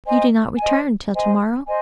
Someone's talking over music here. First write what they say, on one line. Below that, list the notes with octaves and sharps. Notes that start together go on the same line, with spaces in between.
You do not return till to-morrow?
C5 D#5 G#5
C5 D#5 G#5
C5 D#5 G#5
C5 D#5 G#5